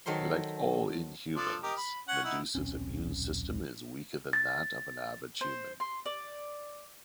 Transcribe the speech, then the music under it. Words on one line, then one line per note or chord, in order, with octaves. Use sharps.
Like all Inhumans, Medusa's immune system is weaker than that of an average human.
D#3 F#3 A4 C5 C6
F3 D4 A4
G4 A#4 D#5
B5
C#4 F#5
D#4 E4 F#5
D#1 B1 C4 C#4
A6
C5
C6
D5